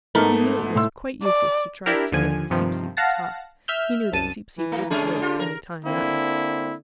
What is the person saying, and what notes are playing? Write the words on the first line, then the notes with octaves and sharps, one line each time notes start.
He knew it was quite useless to try to get Seep-Seep to talk, He knew that Seep-Seep wouldn't waste any time that way.
G#2 A3 B3 D#4 A#4
A2 C6 E6
D5
D4 E4 G4 A#4
D#2 D3 F3 G#5
G2 C3 D#3 F3
F5 F#5 A5 A#6
E5 F6 G6
C2 F#2 A5 D#7
E3
A3
D3 G#3 C#4 G#4
F4 G4
A#4
D3 A#3 C4 E4